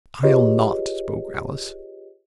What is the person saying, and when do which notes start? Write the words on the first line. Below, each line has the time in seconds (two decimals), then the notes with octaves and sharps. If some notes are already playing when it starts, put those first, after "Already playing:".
"I'll not," spoke Alice.
0.23 F4 G4 G#4 B4 C#5 D#5